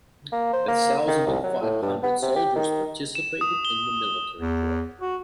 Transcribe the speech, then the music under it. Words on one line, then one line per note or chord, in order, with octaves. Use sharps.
A thousand and five hundred soldiers participated in the military drill.
A#3
C5
A#3
D#3
C2
F#3
A2
G2
B3
C3
G4
D#3
E7
D#6
G7
E2
F#4